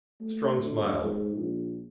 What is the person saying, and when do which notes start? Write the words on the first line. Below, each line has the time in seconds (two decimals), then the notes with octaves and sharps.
Strong smiled.
0.21 A3
0.59 D2
1.04 G#2
1.36 A#1